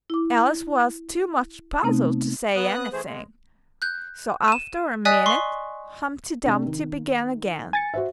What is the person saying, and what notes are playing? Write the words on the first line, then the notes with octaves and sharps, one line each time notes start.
Alice was too much puzzled to say anything, so after a minute Humpty Dumpty began again.
E4 D6
C3 A3 B3 C4 D#4
B3 D#6 F#6
E3 A3 G#4 C5
G#3
F#6 G6
D#7 E7
D5 D#5 G#5 D#6 F#6 B6
C6 C#6 C7
C3 D4
D#3
G#5 A6 C#7
F#4 C5 E5